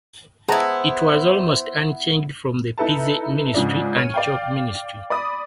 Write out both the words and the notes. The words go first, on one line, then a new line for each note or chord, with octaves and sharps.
It was almost unchanged from the Pizzey Ministry and Chalk Ministry.
B3 E4 G#4 C5 A5 A#5
D#4 E4 A4 B4 A5
G#2 C#3 F3 D4
C#5 F6 D#7
D5 F5 G5
D5 B5 D#6